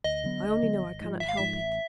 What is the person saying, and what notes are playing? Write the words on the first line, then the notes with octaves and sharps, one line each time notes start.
I only know I cannot help it.
D2 D#5
D3 F#3 B3
D2
D3 F#3 B3
G#1
G#2 F3
G#1 E5
F5
G#2 F3 E5
A1